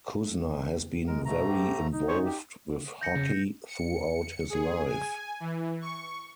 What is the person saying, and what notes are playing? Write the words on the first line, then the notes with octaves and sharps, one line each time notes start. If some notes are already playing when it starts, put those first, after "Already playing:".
Cuzner has been very involved with hockey throughout his life.
G#3 A#4
G#2 B2 A3 A#5
G4
D#4
C5 C#5 C#6
G4
G6 A#6 C#7
C#3
C#7
G#4
G#5
E3
C#6